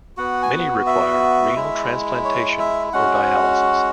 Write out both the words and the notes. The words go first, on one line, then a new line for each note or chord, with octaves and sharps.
Many required renal transplantation or dialysis.
B3 F#4 F#5
G#5
F#5
E5
G#3 E4
C#5
E5
G#3 C#4 F#4 F#5